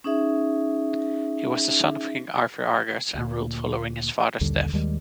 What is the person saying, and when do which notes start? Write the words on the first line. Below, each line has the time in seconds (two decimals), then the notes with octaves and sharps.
He was the son of King Arvirargus and ruled following his father's death.
0.04 C#4 D#4 G#4 E5
3.14 D2 A#2
4.41 A#1 D#2 D3 G3
4.73 D#2 D#3 G3 G#3